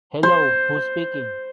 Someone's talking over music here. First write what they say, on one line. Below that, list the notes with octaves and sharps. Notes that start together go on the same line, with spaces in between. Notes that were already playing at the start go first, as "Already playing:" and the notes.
Hello, who’s speaking?
C5